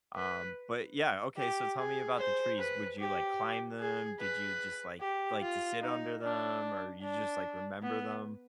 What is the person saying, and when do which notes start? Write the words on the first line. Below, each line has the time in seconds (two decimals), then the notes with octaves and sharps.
um, but yeah, okay, so, tell me about the trees, would you, like, climb them? Did you just, like, like to sit under them, or you just, like, remember them?
0.16 B4
1.37 G4
1.78 G#4
2.18 C5
2.58 B4
2.98 G4
3.79 G#4
4.20 B4
5.01 G4
5.41 F4
5.81 D#4
6.22 D4
7.02 D4
7.83 B3